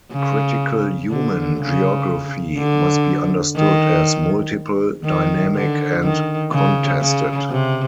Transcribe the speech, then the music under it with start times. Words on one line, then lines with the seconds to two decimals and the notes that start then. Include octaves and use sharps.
Critical human geography must be understood as multiple, dynamic, and contested.
0.12 C#3
1.11 D3
1.60 C#3
2.58 D3
3.56 D#3
5.05 D#3
5.54 D3
6.03 D#3
6.52 C#3
7.01 C#3
7.50 C3